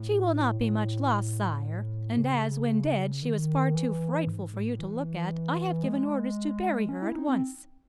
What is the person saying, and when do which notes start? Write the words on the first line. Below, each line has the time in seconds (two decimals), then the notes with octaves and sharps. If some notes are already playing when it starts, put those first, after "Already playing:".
"She will not be much loss, sire; and as, when dead, she was far too frightful for you to look at, I have given orders to bury her at once."
Already playing: A2
0.61 A2
2.17 C#3
3.22 D#3
3.75 E3
4.27 G#2
4.54 A2
4.79 E3
5.83 G#3
6.89 C#4
7.02 E4
7.15 D#4
7.28 C4